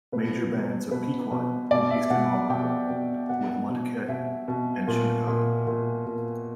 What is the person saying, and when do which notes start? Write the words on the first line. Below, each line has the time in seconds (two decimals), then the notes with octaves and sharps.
Major bands of Pequot in eastern Long Island were the Montaukett and Shinnecock.
0.12 B2 B4
0.52 B2
0.91 B2 B4
1.31 B2
1.71 B2 D5
1.91 E5
2.10 B2 F#5
2.50 B2 G5
2.89 B2
3.29 B2 F#5
3.69 B2
4.08 B2 E5
4.48 B2
4.88 A#2
5.27 A#2
5.67 A#2
6.06 A#2